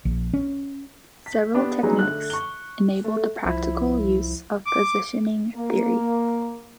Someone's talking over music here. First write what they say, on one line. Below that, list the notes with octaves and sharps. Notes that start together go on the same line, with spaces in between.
Several techniques enabled the practical use of positioning theory.
A#1
C#4
B6
B3 D4 G4
F#3 G#3 B3 D#4 G#4
D3 A3 F#6
C#6 G7
A3
C2 F3 E4
D6
A#3